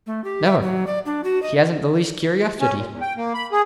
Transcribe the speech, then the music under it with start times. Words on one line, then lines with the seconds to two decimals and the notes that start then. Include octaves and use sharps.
"Never; he hasn't the least curiosity."
0.07 A3
0.24 G4
0.46 E5
0.62 F#3
0.87 D5
1.06 D4
1.24 F#4
1.43 D#5
2.60 C#4
2.75 A#2
2.90 E2
3.01 G5
3.17 A#3
3.34 B5
3.52 G#4